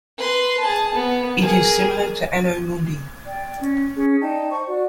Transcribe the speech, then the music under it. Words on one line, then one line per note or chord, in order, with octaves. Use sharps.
It is similar to "Anno Mundi".
B4 C6
G#4 A5
B3
G#4 A#4
D5 G5
C#4
C#4 G#4
D#4 D5 G5 A5
C5 C#6
F#4 D5